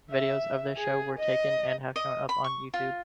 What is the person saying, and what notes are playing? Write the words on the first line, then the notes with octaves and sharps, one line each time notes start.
Videos of this show were taken and have shown up on YouTube.
E5
G#4
D#5
D#5
B5
C#6
F4